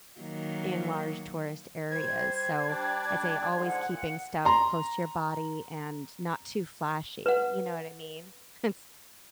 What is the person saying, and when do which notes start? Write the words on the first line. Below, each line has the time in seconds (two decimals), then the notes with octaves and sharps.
in large tourist areas, so, I'd say always keeping stuff close to your body and not too flashy, you know what I mean? It's
0.20 D#3 F#3 A#3
1.90 G3 C5 G#6
2.67 G3 D4 D5
3.56 G#2 D3 F3 C6
3.67 F#5
3.90 A#2
4.45 A#5 C6
7.26 B4 F#5